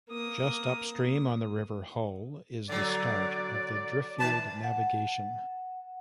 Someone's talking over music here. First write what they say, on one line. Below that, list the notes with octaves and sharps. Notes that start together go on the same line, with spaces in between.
Just upstream on the River Hull is the start of the Driffield Navigation.
A#3 D#6
D3 F#3 D5
D#3 B4 A5
F#5